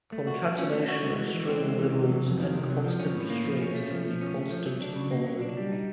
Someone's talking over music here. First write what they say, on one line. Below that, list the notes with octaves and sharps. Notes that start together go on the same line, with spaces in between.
Concatenation of string literals and constant strings can be constant folded.
A3
F#4
F3
C#4
A3
F#4
G#3
E3
E3
C4
G#3
E3
C3
F#3
F2
D#3
C3
F#3
F3
C#4
A2
A#3
F3
C#4
A3
F3
F3
C#4
A3
F3
F#3
D4
C#3
A#3
F#3
D4
G3
D#4